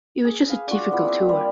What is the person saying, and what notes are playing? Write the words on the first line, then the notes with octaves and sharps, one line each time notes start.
It was just a difficult tour.
G#4
B4 F5 G#5
D4 F4 F#4
E3 F3 B3
A#3 C4 F4 E5
G3